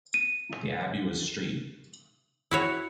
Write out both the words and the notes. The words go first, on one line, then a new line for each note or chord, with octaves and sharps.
The abbey was St.
D#7
E4 F#4 C#5